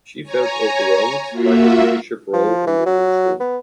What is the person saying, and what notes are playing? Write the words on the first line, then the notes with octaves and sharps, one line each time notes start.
She felt overwhelmed by the leadership role in the newsroom.
C#5 G#5 A#5
A#3 F4 F#4 E5
F3
E3
F#3
B3